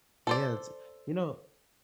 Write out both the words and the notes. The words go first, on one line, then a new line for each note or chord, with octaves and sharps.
Yeah, it's you know
A4 C5 D5